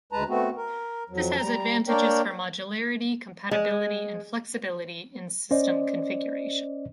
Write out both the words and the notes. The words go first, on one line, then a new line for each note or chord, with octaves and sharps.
This has advantages for modularity, compatibility, and flexibility in system configuration.
D2 G#3 B4 A5 A#5
A3 B3 C4 F#4
A#4
F2 F#3
G3 A#5
A#3 D4 A#4 C#5 D5 G5
G#3
C#4 C5 D5 D#5